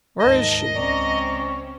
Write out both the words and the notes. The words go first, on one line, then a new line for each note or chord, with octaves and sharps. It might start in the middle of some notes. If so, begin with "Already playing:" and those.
"Where is she?"
D#2 G#2 A#4 D#5 A5
C#2 C4 C#4 D5 A#5 C#6